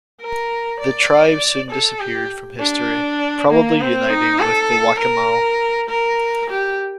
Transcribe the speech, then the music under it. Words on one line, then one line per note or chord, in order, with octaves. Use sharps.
The tribe soon disappeared from history, probably uniting with the Waccamaw.
A#4
D5
A4
G4
D4
A#3
C4
D#4
A4
A#4
A#4
G4